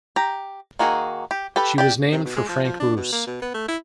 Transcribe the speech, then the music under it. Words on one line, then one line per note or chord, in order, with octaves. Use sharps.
She was named for Frank Bruce.
G4 A#5
D#3 A#3 F#4 G#4
G4
G4 A4 B4
G4 D5 G5
C3
B2
G#3
F3
F3
D4
B2
A#3
B2
B3
A3
E4